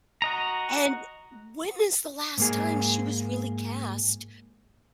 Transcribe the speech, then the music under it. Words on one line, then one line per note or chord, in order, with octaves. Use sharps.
And when is the last time she was really cast
F#4 D#5 A#5
G#2 A#3 G#4